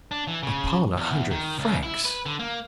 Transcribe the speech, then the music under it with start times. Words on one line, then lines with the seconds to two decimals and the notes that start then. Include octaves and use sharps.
"Upon a hundred francs!"
0.11 D4
0.27 E3
0.43 C#3
0.97 E2
1.31 D#3
1.59 C#2
1.83 E4
2.05 B4
2.26 D3
2.39 A#3